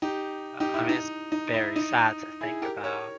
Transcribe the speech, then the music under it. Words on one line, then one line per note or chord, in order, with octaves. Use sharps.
Yeah. I mean, it's very sad to think about.
D#4 G4
D#4 G4
E4
D#4
D#4
E4
D#4
E4 G#4
G4 A#4
A#4 C#5